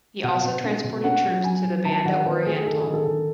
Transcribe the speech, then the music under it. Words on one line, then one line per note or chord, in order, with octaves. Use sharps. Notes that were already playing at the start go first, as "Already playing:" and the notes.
He also transported troops to the Banda Oriental.
B2 F#5
B2
C#4
B2
C#4 F#5
F#3
F#3 G#5
F#3
D#3 A5
D#3 F#5
D#3 B4
A3 G#4
D#3 A4
G#4
D#3
A4
D#3